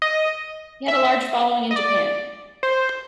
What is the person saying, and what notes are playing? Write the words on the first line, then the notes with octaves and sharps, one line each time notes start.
He had a large following in Japan.
D#5
E5
D#5
D5
C5